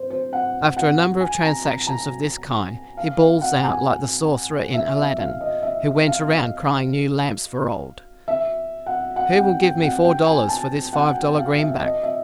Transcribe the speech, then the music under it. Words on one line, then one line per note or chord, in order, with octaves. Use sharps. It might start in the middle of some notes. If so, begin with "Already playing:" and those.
After a number of transactions of this kind, he bawls out, like the sorcerer in Aladdin, who went around crying new lamps for old, "Who will give me four dollars for this five-dollar greenback?"
Already playing: C5
C5
F#5
F#5
G#5
A#5
A#5
A#5
F5
F5
F#5
G#5
E5
E5
F5
D#5
E5
F5
E5
F#5
F#5
F#5
G5
G5
F#5
G5
G#5
A5
F#5
G5
F5
E5
D#5
E5